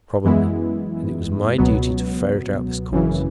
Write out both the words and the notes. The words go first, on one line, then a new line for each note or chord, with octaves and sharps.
Probably, and it was my duty to ferret out this cause.
F#2 E3 G#3 B3 E4
C#2 B2 F#3 B3
G#1 F#2 C#3 E3